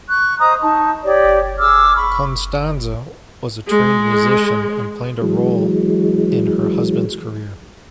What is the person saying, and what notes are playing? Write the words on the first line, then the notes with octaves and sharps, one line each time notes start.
Constanze was a trained musician and played a role in her husband's career.
C#6 F#6
C5 D#5 A#5 D#6
D#4 A5 C#6
G4 C#5 D5
G#4 D6 E6 F6
B5 C#6
G#3
E3 F#3 G#3